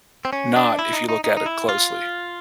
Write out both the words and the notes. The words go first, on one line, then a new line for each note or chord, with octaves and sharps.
not if you look at it closely.
C4
C#4
D4
E4
D#4
D#4
D#4
D#4
E4
F4